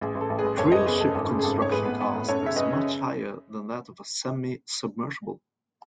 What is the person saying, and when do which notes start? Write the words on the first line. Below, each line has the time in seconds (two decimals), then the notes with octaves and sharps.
Drillship construction cost is much higher than that of a semi-submersible.
0.01 A1 G#4
0.15 A1
0.21 A4
0.30 A1
0.39 G#4 B4
0.44 A1
0.58 F#1 A4 C#5
0.72 F#1 B4 D#5
0.86 E2 G#4 B4
1.01 F#1 A4
1.15 G#1 A4
1.28 C#3
1.39 G#4
1.43 G#1 A4
1.58 G#1 C#5
1.71 A2 G#4 B4
1.85 B3
2.01 B3
2.15 A2
2.28 F#2 A4 C#5
2.43 C#3 E5
2.56 F#2 B4 D#5
2.72 C#3